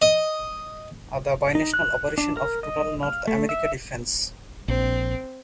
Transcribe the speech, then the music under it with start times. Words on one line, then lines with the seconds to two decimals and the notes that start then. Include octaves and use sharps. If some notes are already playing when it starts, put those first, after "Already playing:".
The bi-national operation of total North America Defense.
0.02 D#5
1.55 D#4
1.74 F#6
2.18 D4
2.37 A#4
2.63 D#5
3.03 F5
3.28 A3
3.49 E5
4.68 A#1 C4